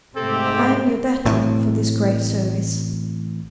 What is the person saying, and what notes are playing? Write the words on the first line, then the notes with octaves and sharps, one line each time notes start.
'I am your debtor for this great service.'
G#2 C3 A3 C4 G4 A4
A1 A2 C3 E3